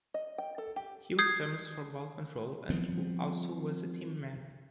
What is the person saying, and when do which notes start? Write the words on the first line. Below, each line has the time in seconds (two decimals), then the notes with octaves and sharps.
He was famous for ball control and also was a team man.
0.14 D#5
0.38 G5
0.58 A4
0.76 G4
1.19 D#6 G6 G#6 C7
2.70 F3 G3 B3 C4